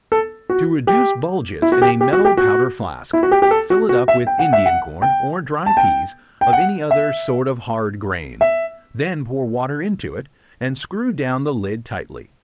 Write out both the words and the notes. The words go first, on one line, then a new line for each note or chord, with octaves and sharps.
To reduce bulges in a metal powder-flask, fill it up with Indian corn, or dry peas, of any other sort of hard grain; then pour water into it, and screw down the lid tightly.
A4
F#4
G4
E4
F#4
G4
G4
F#4
G4
F#4
E4
F#4
G4
G4
A4
F#4
F#4
E5
G5
F#5
E5
F#5
G5
A5
G5
G5
F#5
E5
E5